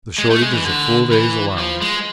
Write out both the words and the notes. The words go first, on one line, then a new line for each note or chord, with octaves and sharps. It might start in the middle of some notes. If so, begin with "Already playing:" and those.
The shortage is a full day's allowance.
G#3
A3
G#3
E3
D3
E3
F3
G#3